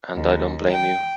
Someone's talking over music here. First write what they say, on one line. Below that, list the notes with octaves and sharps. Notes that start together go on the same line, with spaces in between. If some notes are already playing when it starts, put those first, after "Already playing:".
And I don't blame you.
D#2
G5